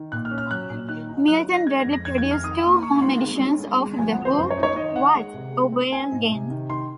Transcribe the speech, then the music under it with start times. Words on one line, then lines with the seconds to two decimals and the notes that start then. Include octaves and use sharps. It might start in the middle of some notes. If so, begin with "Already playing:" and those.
Milton Bradley produced two home editions of "The Who, What, or Where Game".
Already playing: D#3
0.12 A#2 F#6
0.25 F6
0.31 C#4
0.38 F6
0.51 F#3 F#6
0.70 A#2
0.89 D#3 F#6
1.09 D#4
1.28 F#3 F#6
1.47 D#4
1.54 A#6
1.67 G#3 G#6
1.79 A#6
1.86 F2
1.92 A#6
2.05 F2 G#6
2.18 G#6
2.25 D#3
2.31 F6
2.44 D#3 D#6
2.64 A#3
2.83 D#3 C#6
3.02 A#3 C6
3.21 G#3
3.41 C#4
3.60 G#3
3.80 G#3
3.99 F3 G#5
4.11 F#5
4.18 F3
4.25 C5
4.38 F#2 C5
4.50 C#5
4.57 D#4
4.63 C#5
4.76 D#3 D#5
4.96 D#3 F#5
5.15 G#3
5.34 C3
5.53 G#3
5.72 C4
5.92 C4 G#5
6.12 G#2
6.31 C3
6.50 D#3
6.70 D#3 C6